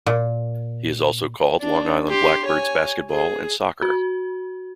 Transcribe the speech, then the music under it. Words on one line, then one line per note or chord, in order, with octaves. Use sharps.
He has also called Long Island Blackbirds basketball and soccer.
A#2
D4
G4 C6
C#5 G#5
G#4
F#4